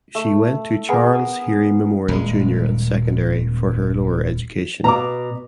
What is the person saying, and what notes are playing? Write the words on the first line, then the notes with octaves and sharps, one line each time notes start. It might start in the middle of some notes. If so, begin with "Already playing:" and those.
She went to Charles Heery Memorial Junior and Secondary for her lower education.
A3
B3 G#4 A#4
D#1 G#3
B2 A#5 D6